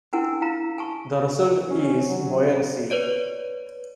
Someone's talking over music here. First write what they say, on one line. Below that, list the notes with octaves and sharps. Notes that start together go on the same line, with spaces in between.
The result is buoyancy.
C#4 D4 E4 A#4 F#5 G#5
E4 F5 A#5
G#5 A5 C#6
C#4
F#3
B4 C#5 D5 D7